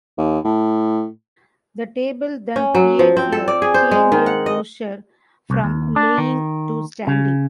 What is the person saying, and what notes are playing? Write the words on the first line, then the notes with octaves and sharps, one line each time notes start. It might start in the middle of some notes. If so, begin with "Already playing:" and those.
The table then creates a change in posture from lying to standing.
D#2
A2
C#4
F#3
F3
C4
A4
D5
G#4
C5
G#3
D#3
F#5
D#5
C2
D#2
D4
D#3
C#3